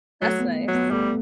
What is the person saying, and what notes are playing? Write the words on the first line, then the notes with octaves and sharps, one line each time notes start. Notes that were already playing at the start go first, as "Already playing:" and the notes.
That's nice.
F#3 A3
B3
F#3
B3
G3 A3